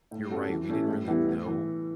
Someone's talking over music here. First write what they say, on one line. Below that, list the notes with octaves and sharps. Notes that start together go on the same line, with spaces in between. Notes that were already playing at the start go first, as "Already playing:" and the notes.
you're right, we didn't really know
A2
G3 C#4 F#4 A4
E3
A3 C#4 E4 G4
A2
E3 G3 B3 E4
A2
E3